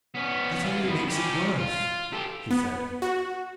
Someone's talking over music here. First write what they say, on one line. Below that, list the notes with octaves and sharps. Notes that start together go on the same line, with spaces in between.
"That only makes it worse," he said.
B3 C#4
E3 F4
F2 B3
C#4 G4
F4
G4 A4
B3
F#4